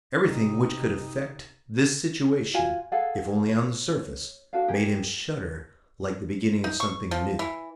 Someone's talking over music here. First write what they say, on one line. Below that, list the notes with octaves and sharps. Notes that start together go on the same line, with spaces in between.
Everything which could affect this situation, if only on the surface, made him shudder like the beginning of something new.
C3 D#4
F4 F#4 G#5
G#4 A4 F5 F#5
C#5
D4 F#4 A4 F5
G4 G#4 A#4
D#4
C#6
F3
E3